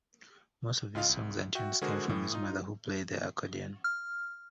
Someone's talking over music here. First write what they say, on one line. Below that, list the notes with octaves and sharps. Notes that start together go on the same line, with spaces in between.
Many of his songs and tunes came from his mother who played the accordion.
C#2 F4 D#5 F5
C2
F#4 E5 G5
D3 G#3 F#4 G#4 A#4 C5
A2 E3
D#4 F4 D#6
F6